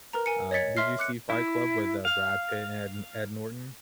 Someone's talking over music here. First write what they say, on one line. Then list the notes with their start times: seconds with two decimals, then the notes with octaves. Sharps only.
Um, did you see Fight Club with, uh, Brad Pitt, and Ed Ed Norton?
0.13 A#4 B4 A#5
0.26 A#4 G#5 C#7
0.51 C#5 D#5 G#6 A6 B6 C#7
0.77 E5 C6 F6 C7
0.99 D6 F#6 C#7
1.30 E4
2.05 F5